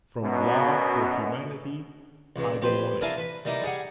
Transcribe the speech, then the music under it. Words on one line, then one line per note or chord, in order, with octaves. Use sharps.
From love for humanity I don't want it.
F#2 B2
C#2 G2
F2 G4 B4 C5 G5 C6
D4 E4 A#4 D5 F5 G#5
B4 B5
G3 A#3 D#4 E4
G3 G#4 F#5